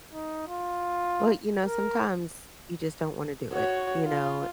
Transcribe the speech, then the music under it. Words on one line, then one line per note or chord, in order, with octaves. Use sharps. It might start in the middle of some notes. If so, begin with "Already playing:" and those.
Well, you know, sometimes you just don't want to do it, you know,
D#4
F4
A#4
F#4 C#5
F4